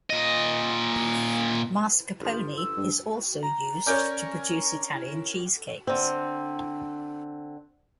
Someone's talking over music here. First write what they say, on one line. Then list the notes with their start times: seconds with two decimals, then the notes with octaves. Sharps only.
Mascarpone is also used to produce Italian cheesecakes.
0.10 A#2 D#5
2.22 G1 F3
2.57 E6
2.77 G2
3.43 A#5
3.86 C#4 A#4 C#5 D5 G#5 G6
5.87 D3 C4